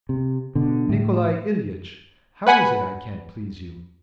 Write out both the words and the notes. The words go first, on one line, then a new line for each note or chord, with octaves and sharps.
Nikolay Ilyitch, how is it I can't please you?
C3
B2 D3
A2
B4 F#5 G#5 B5